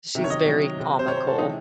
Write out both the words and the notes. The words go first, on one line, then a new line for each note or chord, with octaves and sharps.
She's very comical,
C3 D#3 F#3 E5
C#5
D#5
C3 D#3 F#3
C3 F#3
C5
F#3 C#5
C3
C5
A4
C3 E3 G#3 D#4